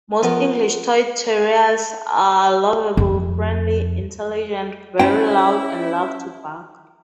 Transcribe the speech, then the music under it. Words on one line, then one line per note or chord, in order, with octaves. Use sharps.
Most English toy terriers are lovable, friendly, intelligent, very loud and love to bark.
F3 B3 A#4
F2
C#4 E4 C5 G5